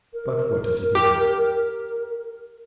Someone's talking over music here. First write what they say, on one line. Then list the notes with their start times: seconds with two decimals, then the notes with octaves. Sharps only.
But what does it matter?
0.13 A#4
0.95 G4